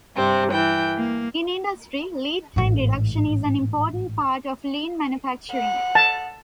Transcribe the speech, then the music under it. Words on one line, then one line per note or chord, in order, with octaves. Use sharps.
In industry, lead time reduction is an important part of lean manufacturing.
G2 C3 C4
E3 G5
A#3
A1 G#2
F#5
A5